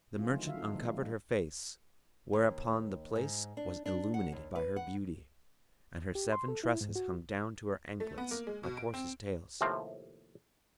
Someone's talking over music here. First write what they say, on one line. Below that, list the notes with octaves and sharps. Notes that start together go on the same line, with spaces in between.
The merchant uncovered her face, whereupon the place was illumined by her beauty and her seven tresses hung down to her anklets like horses' tails.
A3 C4 E4 F4 G#4
D3 D#3 F3 F#3 G#3 D#4
F#3 F#4 E5 F5
C4 D#4 F4 A4
D#3 F3 G#3 A#3 D4 E4
G3 A3
D#2
G#2
D4
D4
F#5
D#2
B4
F#5
G4
C6
A4
E4
G#2
F#4
A3
B3
A#3
G#3
B2
D7
C4
D#2 A2 C3 F3 C4